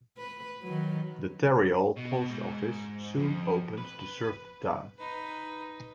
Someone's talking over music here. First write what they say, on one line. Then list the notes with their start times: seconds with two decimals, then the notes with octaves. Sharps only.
The Tarryall Post Office soon opened to serve the town.
0.17 B4
0.62 D#3 F#3
1.96 B2
2.30 G#2
3.18 F2
3.78 B4
4.98 D#4 B4